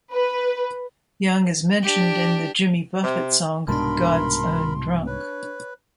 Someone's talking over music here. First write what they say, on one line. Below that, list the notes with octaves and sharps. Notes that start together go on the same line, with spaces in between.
Young is mentioned in the Jimmy Buffett song "God's Own Drunk".
B4
D4 G4
C3
C2 G#2 B2 D4 A#4 A5 B5 C6
B4 C#5